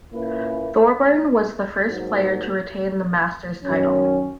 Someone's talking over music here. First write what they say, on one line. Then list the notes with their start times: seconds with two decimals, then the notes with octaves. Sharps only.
Thorburn was the first player to retain the Masters title.
0.11 A#2 A#3 C#4 E4 B4
1.87 G#2 F#3 A#3
3.64 F#2 D#3 F#3 C#4